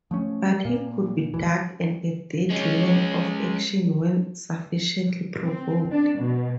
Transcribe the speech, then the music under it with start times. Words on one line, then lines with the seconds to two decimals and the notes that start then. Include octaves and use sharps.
But he could be dark and a deadly man of action when sufficiently provoked.
0.11 F3 A3 C#4
0.65 A#2 A#3
1.34 E1 A1 E2 E3
2.51 G#3 C#4
5.45 C4
5.90 D4
6.21 B2